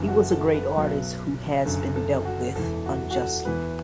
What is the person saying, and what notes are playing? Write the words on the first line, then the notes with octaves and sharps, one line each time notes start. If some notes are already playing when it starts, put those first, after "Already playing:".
He was a great artist who has been dealt with unjustly.
Already playing: F#1 F#2 E3
F#4
A4
B4
B1 B2 F#3
F#1 F#2 D3 F#3 A4
A4
F#4
E1 E2 E3 A4
F#4
F#4
A4
E2 E3 B4